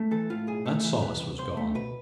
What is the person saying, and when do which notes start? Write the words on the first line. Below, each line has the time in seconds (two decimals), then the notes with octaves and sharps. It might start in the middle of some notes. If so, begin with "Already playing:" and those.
That solace was gone.
Already playing: A3
0.11 E3 A4
0.30 A2 F4
0.47 B1 G#4
0.66 A3 A4
0.85 E3
1.02 B2 B4
1.20 C2
1.39 C2 C5
1.57 A3
1.75 B2 B4